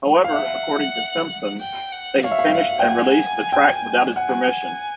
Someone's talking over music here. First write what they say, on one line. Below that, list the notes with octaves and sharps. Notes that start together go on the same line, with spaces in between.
However, according to Simpson, they had finished and released the track without his permission.
F5
E5 F#5
G5
F#5
C#5 F5
E5
F5
F#5
G5
F#5 G#5
G5
F#5 G#5